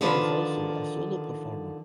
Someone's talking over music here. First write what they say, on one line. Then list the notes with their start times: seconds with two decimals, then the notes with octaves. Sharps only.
He is also a solo performer.
0.01 D3 D#3 F3 D4 B4 C5